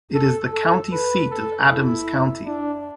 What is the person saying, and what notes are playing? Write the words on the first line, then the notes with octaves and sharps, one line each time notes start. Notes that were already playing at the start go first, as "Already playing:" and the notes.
It is the county seat of Adams County.
A4
A4
B4
A4
E4
D4